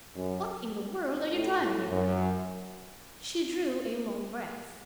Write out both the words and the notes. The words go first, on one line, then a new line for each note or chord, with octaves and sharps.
"What in the world are you driving at?" She drew a long breath.
F#2
A2
A2
F#2